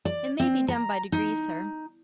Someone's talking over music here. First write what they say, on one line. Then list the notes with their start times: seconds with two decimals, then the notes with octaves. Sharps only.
'It may be done by degrees, Sir.
0.05 D5
0.40 C4
0.68 A#5
1.12 D#4